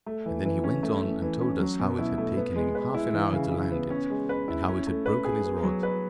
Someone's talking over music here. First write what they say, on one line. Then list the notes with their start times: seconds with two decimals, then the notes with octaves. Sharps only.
And then he went on, and told us how it had taken him half an hour to land it, and how it had broken his rod.
0.06 A3
0.26 E3
0.45 E3
0.64 C#4
0.83 A3
1.03 E3
1.22 E3
1.41 C#4
1.60 F#3
1.80 B2
1.99 E4
2.18 A3
2.37 B3
2.56 G#3
2.75 B4
2.94 E4
3.14 E3
3.33 C#3
3.52 E4
3.72 B3
3.90 C#4
4.10 G#3
4.29 B4
4.48 E4
4.68 C#4
4.87 A3
5.06 B4
5.25 G#4
5.45 B3
5.63 F#3
5.83 B4